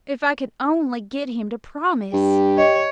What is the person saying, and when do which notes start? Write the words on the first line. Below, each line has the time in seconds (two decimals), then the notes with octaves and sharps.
"If I could only get him to promise!"
2.13 G2 G4
2.58 C#5 D#5